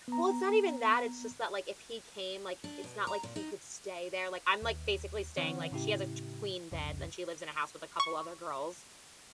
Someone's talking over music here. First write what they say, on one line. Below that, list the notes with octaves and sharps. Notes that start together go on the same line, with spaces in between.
Well, it's not even that, it's just that like, if he came, like, it's not like he could stay there, like, I'm, like, basically staying, like, she has a t queen bed and she lives in a house with a couple other girls,
B3 A#5
D4
B2
A#5
A#2
D#4
D#2
D3 E3 C4 C#5 F#5
A2 C#3 E4 G4
C2 F2 C#3
C#6